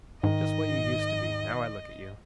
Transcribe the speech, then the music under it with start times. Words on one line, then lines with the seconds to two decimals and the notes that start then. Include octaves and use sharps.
Just what you used to be, now I look at you!
0.23 G#2 D#3 D#5